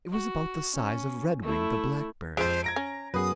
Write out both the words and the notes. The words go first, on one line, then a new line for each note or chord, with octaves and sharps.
It was about the size of Redwing the Blackbird.
F#4
C#4
A3 E4
F2 F3 G#3 C5 D7
A#5 G#6 A#6 D7
C#4
F#2 B3 G#4 B4 D#6